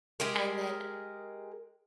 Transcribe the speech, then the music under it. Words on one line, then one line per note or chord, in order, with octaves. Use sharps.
and then,
G#3 G4 G#4 A#4